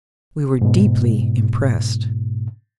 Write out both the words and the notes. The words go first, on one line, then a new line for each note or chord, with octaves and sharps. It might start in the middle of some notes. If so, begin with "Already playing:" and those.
We were deeply impressed.
G#2 B2